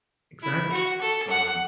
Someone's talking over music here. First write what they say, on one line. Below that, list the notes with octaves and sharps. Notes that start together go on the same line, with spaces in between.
Exactly. Um,
E4
F#4
A4
F#5